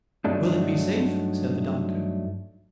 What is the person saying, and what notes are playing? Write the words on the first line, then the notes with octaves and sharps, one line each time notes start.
"Will it be safe?" said the doctor.
G2 F#3 A3 D4 D#4